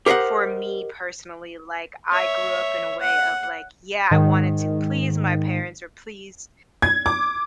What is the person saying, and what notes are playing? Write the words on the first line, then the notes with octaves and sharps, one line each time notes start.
for me, personally, like, I grew up in a way of, like, yeah, I wanted to please my parents or please,
G4 A#4 C5 D#5 F#5
C#5 E5
F#5
G#2 D#3
G#6
D6